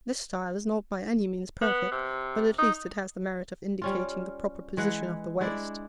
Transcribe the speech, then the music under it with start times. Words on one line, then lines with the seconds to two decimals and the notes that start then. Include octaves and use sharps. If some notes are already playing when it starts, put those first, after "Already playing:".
This style is not by any means perfect, but at least it has the merit of indicating the proper position of the waist.
1.61 B3
1.92 C3
2.59 D#4
3.82 G3 C#4 F4
4.77 E3 G#3 B4 F#5
5.41 G#3 D4 E4 D5